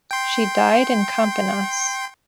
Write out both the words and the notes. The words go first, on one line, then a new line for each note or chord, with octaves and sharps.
She died in Campinas.
G5 C6